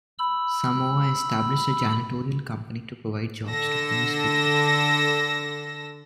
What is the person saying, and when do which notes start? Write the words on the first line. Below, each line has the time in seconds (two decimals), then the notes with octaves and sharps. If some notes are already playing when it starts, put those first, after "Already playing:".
Samoa established a janitorial company to provide jobs to homeless people.
0.19 B5 E6
3.46 D3 A4 E6 A#6